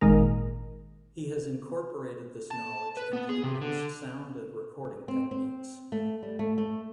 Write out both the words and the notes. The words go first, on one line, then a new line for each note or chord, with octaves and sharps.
He has incorporated this knowledge into the group's sound and recording techniques.
G#1 A#2 D#3 G#3 A#4
A5
B4
B3
G#4
C3
D3
C4
C4
A3
G3
A3
A3